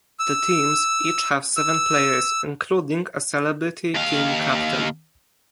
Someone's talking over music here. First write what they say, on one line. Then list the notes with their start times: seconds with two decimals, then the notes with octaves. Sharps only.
The teams each have seven players, including a celebrity team captain.
0.19 E6
1.57 E6
3.95 D#2 F5